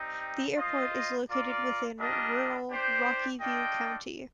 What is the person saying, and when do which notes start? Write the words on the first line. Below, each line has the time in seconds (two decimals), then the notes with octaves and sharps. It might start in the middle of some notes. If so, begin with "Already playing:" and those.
The airport is located within rural Rocky View County.
Already playing: G3 C4 D#4
0.58 F4 C5 D#5
1.29 F4 A#4 D5
1.99 G3 D4 F4 A#4 D#5
2.70 D4 G4 C5
3.40 D4 F4 A4 D#5 G5